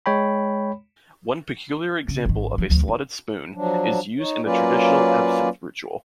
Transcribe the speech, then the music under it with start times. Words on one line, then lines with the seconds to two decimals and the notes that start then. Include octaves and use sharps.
One peculiar example of a slotted spoon is used in the traditional absinthe ritual.
0.06 G#3 C#5 G5 B5
2.08 C#3
2.25 G#1 D#3
2.58 F3
2.70 D2 F3
2.88 D#4
3.55 F3 F#3 D4
4.19 D#4 C#5
4.45 F#3 A#3 C#4 F4 B4 D5